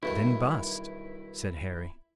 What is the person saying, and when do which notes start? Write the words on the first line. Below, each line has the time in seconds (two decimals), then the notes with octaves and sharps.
"Then bust," said Harry.
0.03 B1 G2 D#3 E4